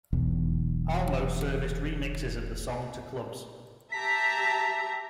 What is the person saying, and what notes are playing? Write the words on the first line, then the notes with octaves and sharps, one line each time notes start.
Almo serviced remixes of the song to clubs.
E1 B1 E2
G4 E5 A5 A#5 B6